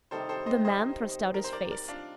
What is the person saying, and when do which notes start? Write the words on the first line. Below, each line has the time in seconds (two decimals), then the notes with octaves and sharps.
The man thrust out his face.
0.11 C3 D#3 G3 A4 C5
0.29 A4 C5
0.46 C5 D#5
0.65 C5 D#5
1.34 A#4
1.44 C5
1.53 A#4 D5
1.71 A#4 D5
1.88 D4 F4